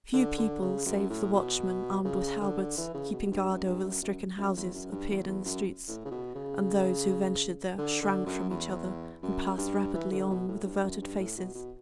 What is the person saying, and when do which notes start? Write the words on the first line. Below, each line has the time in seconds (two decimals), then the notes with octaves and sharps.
Few people, save the watchmen, armed with halberts, keeping guard over the stricken houses, appeared in the streets; and those who ventured there, shrank from each other, and passed rapidly on with averted faces.
0.13 D3
0.38 D3
0.62 C#3
0.86 F#2
1.10 A2
1.33 B2
2.05 C#3
2.41 D3
2.77 E3
2.94 C#3
3.13 B2
3.31 G2
3.48 F#2
3.66 G2
3.84 F#2
4.02 F#2
4.38 F#2
4.56 E2
4.74 F#2
4.92 G2
5.10 E2
5.28 E2
5.45 F#2
5.88 A2
6.05 C#3
6.11 B2
6.35 C#3
7.78 D3
8.03 D3
8.26 F#2
8.50 E2
9.23 F#2
9.58 G2
9.94 E3
10.12 D3
10.30 B2
10.48 A2
10.65 G2
10.83 F#2
11.01 G2
11.19 A2
11.37 B2
11.55 B2